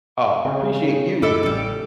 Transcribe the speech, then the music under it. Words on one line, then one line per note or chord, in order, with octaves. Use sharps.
uh, appreciate you,
C#3 C4
F#2 F#3 E4 A4 D#5 D6
A1 A2 C#3 G3 A4